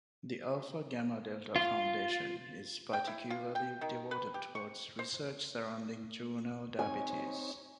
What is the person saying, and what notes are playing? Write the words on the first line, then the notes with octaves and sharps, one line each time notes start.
The Alpha Gamma Delta Foundation is particularly devoted towards research surrounding Juvenile Diabetes.
F4
G5
E4
F4
G5
D#3
B4
G4
C#6
C5
C4 D#4 C#5 G#5